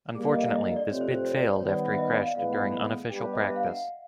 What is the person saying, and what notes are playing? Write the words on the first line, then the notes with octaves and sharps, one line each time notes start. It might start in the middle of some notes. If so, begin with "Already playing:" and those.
Unfortunately, this bid failed after he crashed during unofficial practice.
G2 D3 G3 A#3 G#4
D5
D#5
E5
D#5
D#5
D5
C3 F3 A3 C4 C#5
C5
C5
C#5
D5
D5
D#3 G3 B3 C#5
D5
E5
D#5
D5
F5
A2 E3 G#3 B3 F5
F#5
G3 B3 D4 G4 B4
D#5
E5
F5
F#5